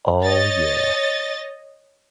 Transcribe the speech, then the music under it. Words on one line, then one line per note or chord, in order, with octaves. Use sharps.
Oh, yeah.
C#5 D#5 A6